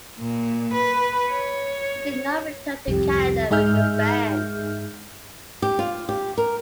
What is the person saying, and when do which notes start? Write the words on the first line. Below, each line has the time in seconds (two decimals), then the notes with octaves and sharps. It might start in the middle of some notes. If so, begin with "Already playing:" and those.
He did not return to Canada with the band.
0.19 A#2
0.73 B4
1.30 C#5
2.88 C2 F2 G4
3.51 G#2 D#4 G#4 E5 F6 G6
5.62 G4
5.79 F4
6.09 G4
6.38 A#4